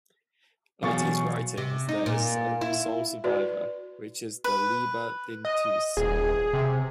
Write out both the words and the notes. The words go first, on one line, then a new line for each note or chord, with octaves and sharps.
Of these writings, there is a sole survivor, which is the "Liber Linteus".
E2 B2 F#3 F5 G#5 C#6 A6
C3
D#4
A#2
E4
F#4 B4 D5
B4
D#5
D#1 G#4
C3